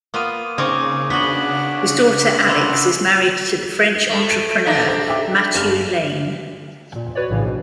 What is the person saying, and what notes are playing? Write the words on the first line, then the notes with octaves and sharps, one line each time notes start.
His daughter Alix is married to the French entrepreneur Mathieu Laine.
A#3 B3 F4 D#6 D#7
C#3 C4 D#4 A#4 C#6 D6 G#6
B3 D4 F#4 F#5 B6 F#7 G7
B5 C6 E6
A3
D7 D#7
D4 D#4
C5
E5 G5 D6
G1 G4 F6
A#2
F#4 B4 C#5 D5
A#1 A2 C#3 E3
A#1 B2